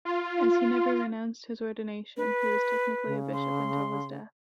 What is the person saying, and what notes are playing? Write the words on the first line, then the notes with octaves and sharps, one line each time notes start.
As he never renounced his ordination, he was technically a bishop until his death.
F4
B4
C#3
C6